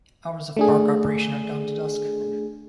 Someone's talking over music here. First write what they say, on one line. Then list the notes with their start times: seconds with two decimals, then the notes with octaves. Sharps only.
Hours of park operation are dawn to dusk.
0.57 A3 D4 G#4